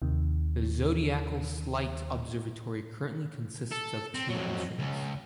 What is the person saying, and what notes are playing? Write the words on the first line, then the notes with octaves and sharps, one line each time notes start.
The Zodiacal Light Observatory currently consists of two instruments.
D#2 C3 D#3
A4
C4
F2 F#3
C#2